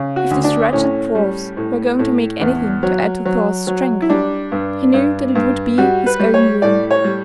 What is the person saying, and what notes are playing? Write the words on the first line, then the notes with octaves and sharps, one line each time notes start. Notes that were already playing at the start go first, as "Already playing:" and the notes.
If these wretched dwarfs were going to make anything to add to Thor's strength he knew that it would be his own ruin.
Already playing: C#3
F#4
D2
D4
A2 C#4
G3
A2
A2
E2
F#3
F#3
F#3
E4
G3 D4
G2
G2
G2
G3 F#4
B4
G3
C#5
A2 D5
C#5
G3